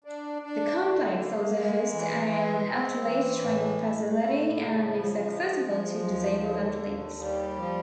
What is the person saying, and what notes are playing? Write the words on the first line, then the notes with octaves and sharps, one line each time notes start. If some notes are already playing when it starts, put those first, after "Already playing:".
The complex also hosts an athlete training facility, and is accessible to disabled athletes.
D4
D4
D3
A#3
G#3
E3
G#3
C4
E3
A2
A3
A2
C#3
F3
G#3
F3
D#2
D3
D#2
G3
F3